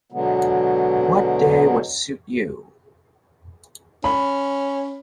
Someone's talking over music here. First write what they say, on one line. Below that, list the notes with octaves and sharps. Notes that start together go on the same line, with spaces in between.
What day would suit you?
B2 D3 F#3 G#3 B3
C#4 B5